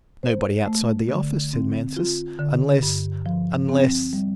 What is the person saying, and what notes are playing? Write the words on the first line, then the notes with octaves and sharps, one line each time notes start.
"Nobody outside the office," said Mansus, "unless, unless..."
C5
A3
D3
C4
F4
D3
G2
F3
C4
G3